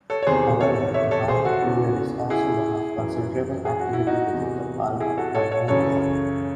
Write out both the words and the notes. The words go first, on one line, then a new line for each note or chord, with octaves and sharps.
However the dormant period is also one of considerable activity within the bulb primordia.
A4 C#5
C#5
E2 C3 D#3 G#4 C5
A4 C#5
C#5 E5
A4 C#5
G#4 C5
F#4 A4
E2 C#3 E3
E4 G#4
F#2 E3
G#4
F#4
E4
D#4 F#4
E2 C3 E3
E4 G#4
F#4 A4
A4 C#5
A4 C#5
F#2 C#3 E3 A4 C#5